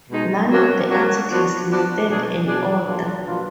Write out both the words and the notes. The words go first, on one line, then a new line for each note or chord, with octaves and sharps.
None of the articles listed an author.
B2 G#3 D#4
F#3 A#3 D4 F#4 A#4
F#3 A#3 D4 F#4 A#4
F3 B3 D4 F#4
F3 B3 D4 F#4
B2 F#3 D4 G#4 D5
B2 F#3 D4 G#4 D5
A#2 F#3 D4 F4 B4
A#2 F#3 D4 F4 B4